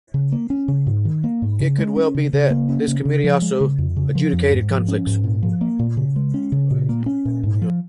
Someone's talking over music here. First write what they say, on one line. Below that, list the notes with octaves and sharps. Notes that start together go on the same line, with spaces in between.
It could well be that this committee also adjudicated conflicts.
C#3
A#3
C#4
C#3
G#2
D#3
A#3
G#2
C#3
G#3
C#4
C#3
C#3
A#3
C#4
C#3
C#3
F3
G#3
C#3
F2
C#3
F3
F2
G#2
F3
C#4
G#2
A#2
F3
A#3
A#2
C#3
G#3
C#4
C#3
A#2
A#3
C#4
A#2
G#2
F3